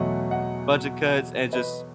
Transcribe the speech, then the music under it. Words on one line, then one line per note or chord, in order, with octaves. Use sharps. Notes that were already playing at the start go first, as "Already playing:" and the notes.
Budget cuts, and just
Already playing: E2 B2 F#3 A3 D#5 F#5
D#5 F#5
B4 D#5